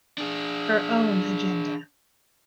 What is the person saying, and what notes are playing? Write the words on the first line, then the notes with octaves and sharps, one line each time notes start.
Her own agenda.
D4 G#4